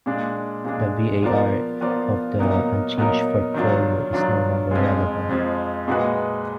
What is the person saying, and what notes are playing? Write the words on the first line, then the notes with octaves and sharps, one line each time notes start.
The VaR of the unchanged portfolio is no longer relevant.
A#2 G#3 D4
A#2 G#3 D4
F3 B3 F4 A#4 D5
F3 B3 F4 A#4 D5
A#2 F#3 B3 D#4 A#4
A#2 F#3 B3 D#4 A#4
D#3 F#3 D4 F4
D#3 F#3 D4 F4
F2 F3 G#3
F2 F3 G#3
A#2 G#3 D#4 F#4 B4